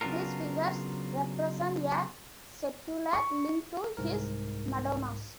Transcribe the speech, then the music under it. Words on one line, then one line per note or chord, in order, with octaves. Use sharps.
These figures represent a secular link to his "Madonnas".
C#3 F#3 B3 D4 F4 A#4
C#6
C2 G#2 A#4